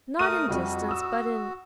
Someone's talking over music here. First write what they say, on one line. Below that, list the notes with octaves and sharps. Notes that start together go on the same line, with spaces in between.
'Not in distance, but in--.
A3 A#4 D#6 D#7
F2 G3 F#4
D#6 E6